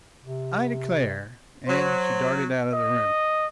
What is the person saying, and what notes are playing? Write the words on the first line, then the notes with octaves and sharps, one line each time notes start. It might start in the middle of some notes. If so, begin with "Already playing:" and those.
"I declare!" and she darted out of the room.
C3
F#3 C5
D#5